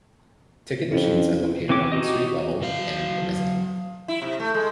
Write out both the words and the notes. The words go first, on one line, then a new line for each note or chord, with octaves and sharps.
Ticket machines are located on street level and the mezzanine.
F2 C#4 E4
E3 C4 C#4 D6
D#4 F#4 G4 D#5
F#3 F5
E4
C3
A3
G#3